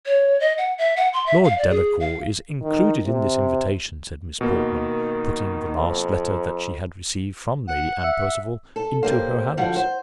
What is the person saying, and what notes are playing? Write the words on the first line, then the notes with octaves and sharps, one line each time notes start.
"Lord Delacour is included in this invitation," said Miss Portman, putting the last letter that she had received from Lady Anne Percival into her hands.
C#5
D#5
F#5
E5
F#5
C6
E5
F5
D5
G#4
F5
D#3
C3
B2 D#3 A#3
F2
F#5
E5
A4
G3 A#3 C5
D3 F3 G3 F#4
C5